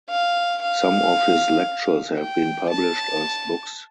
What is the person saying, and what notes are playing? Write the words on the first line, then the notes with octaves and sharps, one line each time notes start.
Some of his lectures have been published as books.
F5
F5
G5
A5